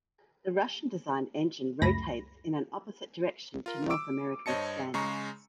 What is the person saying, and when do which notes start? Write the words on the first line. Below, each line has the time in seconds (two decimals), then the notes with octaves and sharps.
The Russian-designed engine rotates in an opposite direction to North American standards.
1.82 C#2 F#2 A3 B5 A#6
3.66 F4 A#4
3.90 D6 E6 D7
4.46 G2 C5 C#5 D#5 A5 C#7
4.94 C#3 G#3 A#5 C#6